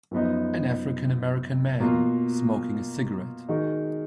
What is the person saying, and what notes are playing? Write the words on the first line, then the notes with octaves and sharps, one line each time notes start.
An African American man smoking a cigarette.
F#2 F3 B3 D#4
B2 A#3 F4
D#3 G#3 D#4 F#4